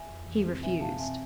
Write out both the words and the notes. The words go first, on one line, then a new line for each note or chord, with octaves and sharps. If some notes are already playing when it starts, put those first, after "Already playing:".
He refused.
Already playing: E5 G#5
F2
E3
C4
B2 E5 G#5
B2 F5 A5
C4 E5 G#5